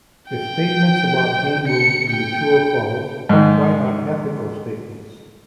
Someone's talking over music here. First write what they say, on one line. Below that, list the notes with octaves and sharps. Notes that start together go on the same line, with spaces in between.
If statements about game rules can be true or false, why not ethical statements?
G5
C#7
G5
G#2 D#3